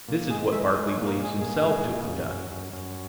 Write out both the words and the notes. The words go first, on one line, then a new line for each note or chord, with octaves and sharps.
This is what Berkeley believes himself to have done.
A#2
G#3 G#4
G#3 E5
G#3 D#5
C#5
A#2
A#4
G#3
G#4
A#2 G#4
G#3
A#2
F#2
F#2
F#2
F#2